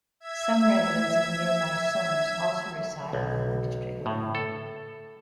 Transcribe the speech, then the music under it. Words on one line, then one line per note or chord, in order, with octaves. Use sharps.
Some residents of nearby Somers also reside within the district line.
E5 G#6
B1
A2
A4